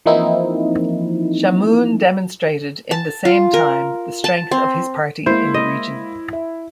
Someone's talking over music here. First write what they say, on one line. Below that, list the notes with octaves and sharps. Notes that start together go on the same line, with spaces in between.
Chamoun demonstrated in the same time the strength of his party in the region.
E3 F3 A#3 C4 D#4 E4
A5
F4
A#4
A5
C4
G#3 A#3 E4 C5
D#5
E5